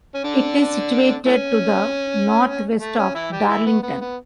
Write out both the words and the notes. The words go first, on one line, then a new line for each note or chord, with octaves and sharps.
It is situated to the north west of Darlington.
C#4
D3 D4
E3 A3 C#4
A3
C#4
E3 E4
G3 G4
E3 E4
B3
B3
B3